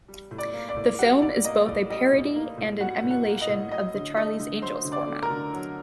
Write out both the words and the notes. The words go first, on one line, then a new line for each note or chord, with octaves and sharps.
The film is both a parody and an emulation of the "Charlie's Angels" format.
G3
A2
D5 D6
A#3
D5 D6
A2
G3 F#4 F#5
A2 D5
A#3 D#5
A2 D5
G3 D#5
A2
A#3
A2
G3 F#4 F#5
A2
F#4 F#5
A#3
D#5
A2
F#3 D#5
D3
A3 D#5
D3
F#3 C5 C6
D3
D5 D6
A3
A#4 A#5
D3
F#3